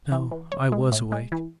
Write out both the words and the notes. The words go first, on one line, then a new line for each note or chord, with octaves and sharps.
"No--I was awake."
E3
E3
C#5
G#3
A2
G#3
E3